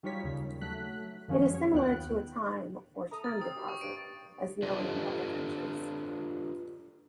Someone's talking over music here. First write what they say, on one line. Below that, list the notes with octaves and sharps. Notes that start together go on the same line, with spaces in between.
It is similar to a time or term deposit as known in other countries.
F#3 G3 D#4 F4 C#5 B6
D#2 C#3
F#3 A3 F#6 B6
F#2 D#3 F3 F#3 G#3 C#4
C#5
D#2 B3 F4 G5 F#6
A4 A#5 D#6
A#4 A6
C4 D#6
D#3 F#3 G4
C#6
G2 D7
D4 F4 G4 A4 B4 D#5